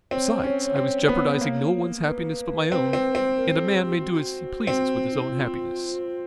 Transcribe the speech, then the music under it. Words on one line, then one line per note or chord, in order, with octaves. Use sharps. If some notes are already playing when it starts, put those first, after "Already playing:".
Besides, I was jeopardising no one's happiness but my own, and a man may do as he pleases with his own happiness.
C4 C#5
C#4
C4
B3
A#3
B4
C4
C4
C4
A#4
A4
G#4
F#4
G4
F4
F#4
C4
D#4
E4
F4